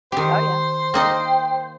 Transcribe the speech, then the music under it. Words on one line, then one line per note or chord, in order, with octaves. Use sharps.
Oh, yeah.
D#3 G4 C5
A#3 D#4 D#5 G5